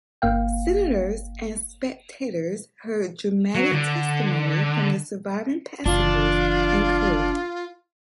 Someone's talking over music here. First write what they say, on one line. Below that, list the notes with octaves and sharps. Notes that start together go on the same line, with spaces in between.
Senators and spectators heard dramatic testimony from the surviving passengers and crew.
G1 A#3 F5 G5
F#3
D3
F#1 E3 D4 F4